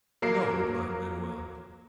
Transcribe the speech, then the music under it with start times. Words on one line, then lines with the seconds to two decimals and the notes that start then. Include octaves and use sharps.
"No!" replied Manoel.
0.22 F#3 A#3 A#4 C7